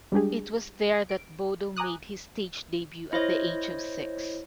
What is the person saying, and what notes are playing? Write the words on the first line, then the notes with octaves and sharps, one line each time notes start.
It was there that Bodo made his stage debut at the age of six.
G3 G#3 D4 G4 G#4
D7
G#5 A#5 D6 D#6 F#6
E4 C5 C#5 D#5